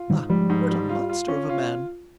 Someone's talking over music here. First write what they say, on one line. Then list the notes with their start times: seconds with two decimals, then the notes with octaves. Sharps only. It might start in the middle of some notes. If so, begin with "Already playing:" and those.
Ah! what a monster of a man!
Already playing: F4
0.10 G#2 D#3 G3
0.30 F3 G3 G#3
0.50 G#2
0.70 G3
0.89 F4
1.09 F4
1.28 C#4
1.49 F4